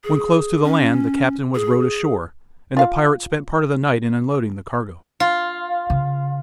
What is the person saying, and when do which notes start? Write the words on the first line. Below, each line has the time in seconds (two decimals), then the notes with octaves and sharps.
When close to the land the captain was rowed ashore, and the pirates spent part of the night in unloading the cargo.
0.04 G#4
0.64 C#4
1.55 G#4
2.77 F4 F5
5.20 F4
5.90 C#3